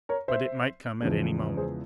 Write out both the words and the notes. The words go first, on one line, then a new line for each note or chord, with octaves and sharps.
But it might come at any moment.
A#4 C#5
C5 E5
E2 C#3 F3 G#3
G#4 C5